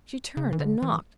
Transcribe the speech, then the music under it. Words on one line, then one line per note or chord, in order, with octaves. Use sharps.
She turned, and knocked.
C#3
E3
D3
E3